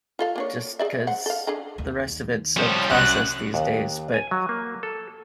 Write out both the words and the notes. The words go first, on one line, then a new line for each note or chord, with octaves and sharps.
just 'cause the rest of it's so processed these days. But
F4 A4 F5
A#3 D4 C#5
G#4 D5 E5
C5 F#5
A4 F5
D4 G#4 A4
D#2
F3 G3 C#4 C5
C2 F#2 C3 F#6
D#2
G#5
F#3
A#3
A4